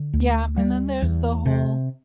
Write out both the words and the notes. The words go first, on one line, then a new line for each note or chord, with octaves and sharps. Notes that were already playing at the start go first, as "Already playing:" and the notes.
Yeah, and then there's the whole
Already playing: D3
D2
G3
E2
C3